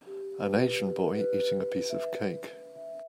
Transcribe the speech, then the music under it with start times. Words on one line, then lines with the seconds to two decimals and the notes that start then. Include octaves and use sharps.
An asian boy eating a piece of cake.
0.07 G4
0.42 B4
0.80 G4
1.16 B4
1.53 B4
1.90 E5